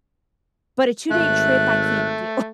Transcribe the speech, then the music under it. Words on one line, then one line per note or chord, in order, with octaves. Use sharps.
but a two-day trip, I can't do.
G#1 A3 E5 F#6